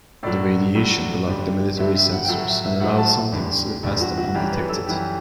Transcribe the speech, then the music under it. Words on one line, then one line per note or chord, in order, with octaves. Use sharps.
The radiation blocked the military's sensors, and allowed something to slip past them undetected.
A2 F#3 D5
A2 F#3
G2 D3 G3
G2 D3 G3 E5
E5
F#5
G5
A2 F#3 F#5
E5
E5
A2 F#3 F#5
A5
E2 D3 G3
E2 D3 G3 D5
F#4
F#4
F#2 E3 G3 G4
B4
A4
F#2 E3 G3 G4